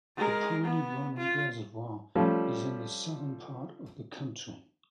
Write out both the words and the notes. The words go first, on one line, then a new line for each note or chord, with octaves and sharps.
The Piney Run Reservoir is in the southern part of the county.
G#3 A#4
B3
F4
F3 G3 A3 C#4 F4